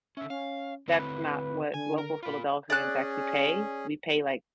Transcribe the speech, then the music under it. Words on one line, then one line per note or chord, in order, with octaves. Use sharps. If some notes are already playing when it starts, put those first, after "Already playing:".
That's not what local Philadelphians actually pay. We pay, like,
D3 C#4 E5
C#4 F5
D3 C4 E4 B4
D3 G#5
A#4
F4 A#4 B5
C#4 G#4 D5 F#6